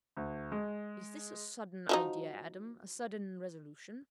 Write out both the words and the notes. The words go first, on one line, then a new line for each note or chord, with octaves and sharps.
"Is this a sudden idea, Adam, a sudden resolution?"
D2
G#3
F3 F#3 D#4